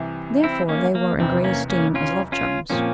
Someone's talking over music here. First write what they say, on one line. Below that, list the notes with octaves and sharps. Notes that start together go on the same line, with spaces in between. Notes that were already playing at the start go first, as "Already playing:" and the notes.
Therefore they were in great esteem as love charms.
Already playing: C2 C3 E3
C4 E4
A#3 C#4
A#3
F1 E2 C3 C4
A#3 C#4
A#3 C#4
C#4 F4
C#4 F4
A#2 F3 A#3 C4 C#4